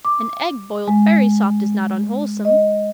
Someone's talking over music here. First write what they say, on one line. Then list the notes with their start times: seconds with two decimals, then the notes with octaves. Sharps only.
An egg boiled very soft is not unwholesome.
0.05 D6
0.88 G#3
2.45 D#5